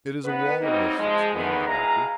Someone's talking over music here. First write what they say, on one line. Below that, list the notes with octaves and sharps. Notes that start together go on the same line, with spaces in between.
"It is a walrus!" exclaimed the Doctor.
B3 D#4 B4
F#3 G3 A#3 C4 D#4
F3 G#3
E2 D3 D#3 B3
B2 G#3 E4 F5 A#5